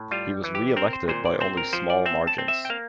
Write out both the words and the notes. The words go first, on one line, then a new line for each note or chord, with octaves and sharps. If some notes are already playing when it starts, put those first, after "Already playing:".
He was re-elected by only small margins.
Already playing: A2
G3 F4
E3
G4
C4 A#4
C5
A#2 C5
D5
C4 C5
A#4
F3 C5
D5
C4 E5
A5
C4
E5
G5
A#3 F5